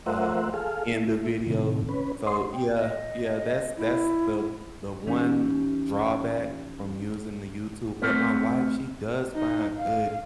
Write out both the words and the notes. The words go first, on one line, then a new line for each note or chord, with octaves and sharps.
um, in the video. So, yeah, yeah, that's that's the the one drawback from using the YouTube, but my wife, she does find good,
A3 F4 A#4 C5 E5 F#5
G#4 A4 F5
A3 E4
A2 C3 D#3
C#4 B4
C5 C#5 D#5 C6
G5
D#5
E4
E3 C#4 D#4 G4
A3 B3 C4 A#4 B4
D#4
F5